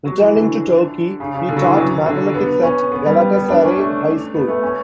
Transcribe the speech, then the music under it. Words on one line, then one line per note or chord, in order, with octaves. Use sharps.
Returning to Turkey, he taught mathematics at Galatasaray High School.
F#3
E3
D3
C#3
C#3
D3
F#3
E3
F#3
D3
B3
C#4
B3
G3
B3
D4
C#4
A3
B3
A3
C#4